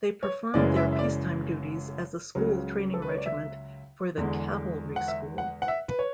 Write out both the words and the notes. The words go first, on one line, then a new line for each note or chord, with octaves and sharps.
They performed their peacetime duties as a school training regiment for the Cavalry School.
C#5
F#1 F#2 C#3 E3 G#3 D5
E5
E5
D5
C#2 C#3 F#3
A4
B4
C#5
D5
E5
E2 D3 G#3
F#5
E5
F#5
F#5
E5
B4
C#5